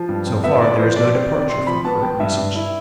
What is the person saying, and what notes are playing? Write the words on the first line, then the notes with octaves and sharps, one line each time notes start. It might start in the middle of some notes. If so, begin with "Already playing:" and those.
So far, there is no departure from current usage.
Already playing: F3
G2
C4
B3 E5
B3 D5
F3 C5
B3 D5
C4 C5
D5
C4
D5
C3 C6
F3 B5
B3 A5
B3 G5
G2 E5
G2
E4